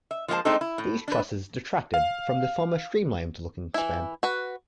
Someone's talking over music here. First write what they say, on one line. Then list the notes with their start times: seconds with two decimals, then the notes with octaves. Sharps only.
These trusses detracted from the former streamlined looking span.
0.11 E5
0.28 F3 G#3 A#3 F4 C5 A5
0.45 G#3 A3 C4 D4 D#4 A4
0.61 E4
0.78 A2
1.08 D4 B4
1.94 F5
3.74 E3 E4
4.23 F#4 B4